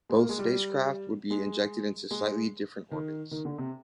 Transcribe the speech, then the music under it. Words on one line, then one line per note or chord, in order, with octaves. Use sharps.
Both spacecraft would be injected into slightly different orbits.
G#3
A#3
G#3
G3
G#3
G#3
D#3
D#3
D3
C3